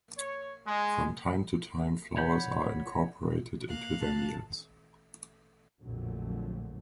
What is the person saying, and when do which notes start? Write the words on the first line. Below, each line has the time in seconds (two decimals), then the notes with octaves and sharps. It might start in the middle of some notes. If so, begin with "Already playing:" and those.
From time to time, flowers are incorporated into their meals.
0.18 C#5
0.67 G#3
2.17 C#5 D5 F#5 B5 G6
3.68 A#3 F5 F#6
4.01 A5
5.82 A#1 F2 A2 D3 F#3 A3